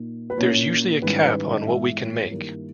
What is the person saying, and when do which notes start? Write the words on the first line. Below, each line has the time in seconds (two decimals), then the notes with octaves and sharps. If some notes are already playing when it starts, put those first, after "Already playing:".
There's usually a cap on what we can make.
Already playing: A#2 A#3 D#4
0.30 B4
0.37 A#2 A#3 C#4 E4 C#5
1.02 G#2 D#3 G3 C#4 E4 B4
1.24 B4
1.46 D#5
1.67 G#2 E3 G#3 B3 E4 E5
2.00 C#5
2.31 G2 D#3 A#3 E4 A#4